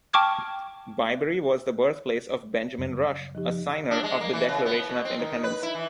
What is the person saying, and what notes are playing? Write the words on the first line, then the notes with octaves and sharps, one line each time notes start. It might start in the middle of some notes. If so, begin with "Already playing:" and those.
Byberry was the birthplace of Benjamin Rush, a signer of the Declaration of Independence.
G5 A5 C#6 D6 F6 G#6
F#2 C#3 G3
F3 D#4 G4
D4
G#3
A#3
E3
C#3
B3
B2
C4
D#3
B4
E4
E3